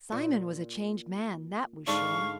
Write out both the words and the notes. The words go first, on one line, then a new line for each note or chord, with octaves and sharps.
Simon was a changed man, that was sure.
A#2
G#2 D3 D4 F5 C#6